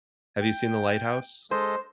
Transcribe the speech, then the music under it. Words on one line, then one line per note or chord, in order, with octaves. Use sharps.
Have you seen The Lighthouse?
G5
G#3 A4 C5 D#5